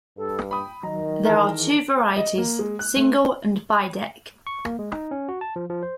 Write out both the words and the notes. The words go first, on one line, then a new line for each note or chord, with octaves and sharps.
There are two varieties; single and bi-deck.
G2 A4
G5 B5 D#6
D#3 F#3 D#5 A#5
E3 E4 G#4 A#4 A5 A#5
D#5
A#3
G#3
F#6
A3
C#6
A#3
G#3
D#4
C#4
F#4
A5
F3
F3
C5